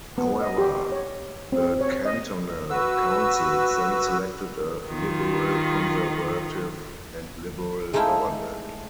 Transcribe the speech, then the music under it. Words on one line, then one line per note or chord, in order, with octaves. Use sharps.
However, the cantonal councils then selected a liberal-conservative and liberal government.
B3
D#5
G4
C#5
C4
C#5
D#5
F#4 B4 E6
D#3 F4
G#3 A3 D#4 E4 F5 G5